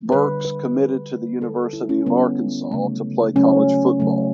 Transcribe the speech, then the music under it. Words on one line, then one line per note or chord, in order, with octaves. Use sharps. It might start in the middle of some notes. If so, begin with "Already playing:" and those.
Burks committed to the University of Arkansas to play college football.
D3 G3 B4
B4
D3 G3
D3 G3 A4
E4
C#4
D3 G3 B3
C#3 F#3 A3
C#3 F#3 A3 C#4
C#3 F#3 A3